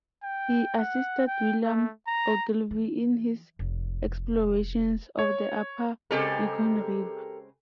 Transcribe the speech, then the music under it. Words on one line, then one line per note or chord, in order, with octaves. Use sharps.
He assisted William Ogilvie in his explorations of the upper Yukon River.
G5
F#5
G5
A3
A#5
E3
F1
C#5
C#3 G#3 C4 G4 A4 A#4